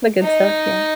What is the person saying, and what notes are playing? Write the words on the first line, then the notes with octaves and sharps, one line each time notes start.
The good stuff, yeah.
D#4